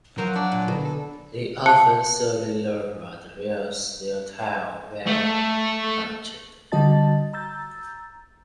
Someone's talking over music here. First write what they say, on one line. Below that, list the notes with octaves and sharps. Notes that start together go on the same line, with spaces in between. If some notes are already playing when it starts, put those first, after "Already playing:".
They often slowly lower and raise their tails while perched.
F3 F#3 F#4 A#4 C5
D4 F#5
A#2
B2 D3
A4
F5 A5 F#6 C#7
A3
D3 G3 F#4 D#5 A5 A6
A#5 E6 G6 A6